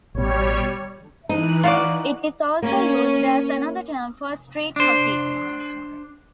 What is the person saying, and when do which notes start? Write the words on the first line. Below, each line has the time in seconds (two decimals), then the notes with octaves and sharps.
It is also used as another term for street hockey.
0.15 A1 B2 G3 C#5
1.29 E3 D#4 F#6
1.63 F4 F#4 D5
2.62 A#3 C#4
4.76 D4 C5